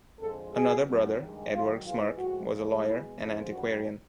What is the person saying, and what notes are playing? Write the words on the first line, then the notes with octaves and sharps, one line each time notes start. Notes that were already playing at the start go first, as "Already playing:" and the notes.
Another brother, Edward Smirke, was a lawyer and antiquarian.
F2 D3 F3 G#3 A4
B2 G3 G#4
E2 C#3 F#3
G2 D#3 G#3
G#2 D#3 F#3 F4
G#2 E3 G#3 F4
A2 F3 G#3 F#4
A#2 F3 G#3
B2 G#3 E4
F2 C#3 F3 G#3 E4
F#2 D#3 G3 F#4